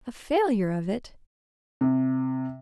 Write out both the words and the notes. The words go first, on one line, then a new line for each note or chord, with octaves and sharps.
"A failure of it!"
C3